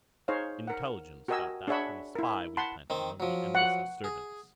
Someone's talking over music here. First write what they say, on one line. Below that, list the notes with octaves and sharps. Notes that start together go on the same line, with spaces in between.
"Intelligence got that from a spy we'd planted among the embassy servants."
D#4 G#4 C5 C#5 F5
A#4 F#5
F#4 G4 A#4 D#5 G#5 E6
D4 G#4 C#5 E5 F#5 B5
E4 A#4
F#5 A5 B5 C6
D#3 C4
F3 F#3
F#5
G#4